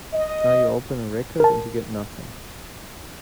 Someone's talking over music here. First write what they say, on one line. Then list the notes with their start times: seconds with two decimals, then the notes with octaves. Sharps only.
Now, you open a record and you get nothing.
0.14 D#5
1.40 A#4 A5